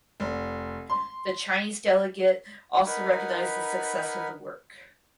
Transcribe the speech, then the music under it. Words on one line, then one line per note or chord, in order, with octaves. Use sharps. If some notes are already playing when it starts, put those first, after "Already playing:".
The Chinese delegate also recognized the success of the work.
F1
C6
D#4 A#4 B4 F#5 G#5 B5